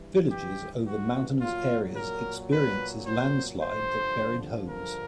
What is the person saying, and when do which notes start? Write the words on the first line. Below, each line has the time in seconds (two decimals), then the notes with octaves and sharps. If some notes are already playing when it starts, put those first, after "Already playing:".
Villages over mountainous areas experiences landslides that buried homes.
Already playing: G2 E3
0.30 G4
0.85 F#4
1.40 A#2 F#3 F4
1.96 A#4
2.50 B4
3.06 C5
3.60 G2 D3 F3 C5
4.69 A#4